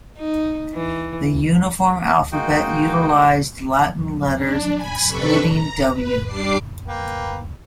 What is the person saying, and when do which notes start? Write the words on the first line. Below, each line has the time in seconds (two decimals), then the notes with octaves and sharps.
The uniform alphabet utilized Latin letters, excluding "w".
0.18 D#4
0.74 E3
2.32 G#3 A#3 D#4 F#4 G5
4.36 D4
4.75 G#5 B5
5.07 C3 D4 A4 B4 B5 C#6
5.46 A#5
5.92 B4
6.25 G3 D4 D5 D6 C7
6.88 A#3 B4 G5